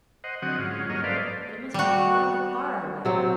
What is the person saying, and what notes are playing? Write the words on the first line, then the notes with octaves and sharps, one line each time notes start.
But it must be far, far away!
C5 D#5 F#5
D3 F#3 C4 F#4 F#5 D#6
G#2 C#4 F4
G2 F#3 A#3 C#4 D#5 F6
A4 B4 C5 D5 F5
G3 F#4
C3 F#3 C4